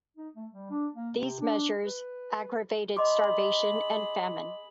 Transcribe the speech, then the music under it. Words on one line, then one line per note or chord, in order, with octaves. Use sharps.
These measures aggravated starvation and famine.
D#4
A3
G3
D4
A#3
C3
D4
B4
G#4 D#5 B5 C6 D6